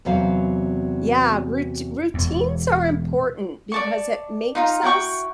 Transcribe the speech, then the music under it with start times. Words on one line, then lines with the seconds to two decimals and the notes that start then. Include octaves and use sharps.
Yeah, rout routines are important because it makes us,
0.05 E2 C3 F#3 B4 F5
2.14 E1 E2
3.72 D5 A5 C#6
4.55 D#4 F4 A#5
4.83 E4 F#4 G5 C#6